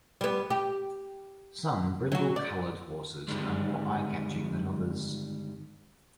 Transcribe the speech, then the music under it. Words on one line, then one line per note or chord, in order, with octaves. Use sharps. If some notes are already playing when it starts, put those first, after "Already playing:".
Some brindle-colored horses are more eye-catching than others.
G3 B3
G4
F#3 F#4
D5
G2 A#2 D3 D#3 G3 G#3